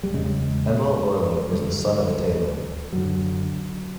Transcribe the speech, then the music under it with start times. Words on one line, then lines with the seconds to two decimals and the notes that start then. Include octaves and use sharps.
Emil Orlik was the son of a tailor.
0.03 G3
0.13 E2 C#3 G#3
1.53 G2 D3 G3
2.93 F#2 D3 F#3